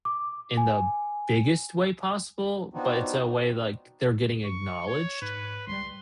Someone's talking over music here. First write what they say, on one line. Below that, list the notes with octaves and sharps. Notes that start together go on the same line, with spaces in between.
in the biggest way possible, but it's a way, like, they're getting acknowledged.
D6
G#5
F3 B3 C4 D4 D#4 F#4
C#6
C#5
G#2 B4
C#2 F3 G3 C6